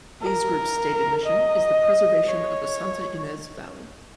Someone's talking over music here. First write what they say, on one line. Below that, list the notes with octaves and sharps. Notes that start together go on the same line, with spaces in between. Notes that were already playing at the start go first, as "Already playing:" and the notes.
These groups' stated mission is the preservation of the Santa Ynez Valley.
A#4
D#5
C#5